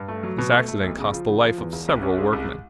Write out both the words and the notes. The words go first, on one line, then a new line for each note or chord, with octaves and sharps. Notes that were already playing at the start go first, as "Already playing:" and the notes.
This accident cost the life of several workmen.
Already playing: G2
A3
F#3
B2
A3
A3
B1
C#3
F3
C#3
F3
E2
E1
C2
C#4
G#3
C2